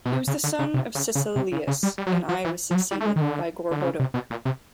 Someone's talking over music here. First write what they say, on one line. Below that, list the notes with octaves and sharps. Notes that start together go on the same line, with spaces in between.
He was the son of Sisillius I and was succeeded by Gorboduc.
B2
C3
C#3
D3
C#3
C3
C#3
C#3
C3
C#3
C#3
G3
G3
F#3
F3
F3
E3
F3
F#3
G3
A3
G#3
D#3
D3
D3
C#3
C3
B2
A#2
C3